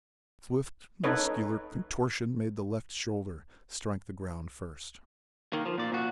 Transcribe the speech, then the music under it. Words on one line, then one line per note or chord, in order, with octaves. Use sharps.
A swift muscular contortion made the left shoulder strike the ground first.
C#4 D#4 A4 B4 C#5 D#5
D#3 A#3
F3
A#2 D5
A#2 F#4